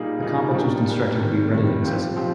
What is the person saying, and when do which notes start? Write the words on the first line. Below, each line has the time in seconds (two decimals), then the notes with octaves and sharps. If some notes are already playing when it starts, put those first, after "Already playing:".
The complex was constructed to be readily accessible.
Already playing: A#2 G3 A#3 D#4 G#4
0.21 A#2 G3 A#3 D#4 G#4
0.54 G3 D4 G4 A#4
0.86 G3 D4 G4 A#4
1.19 C3 D#3 G3
1.51 C3 D#3 G3
1.84 F3 C4 G4
2.16 F3 C4 G4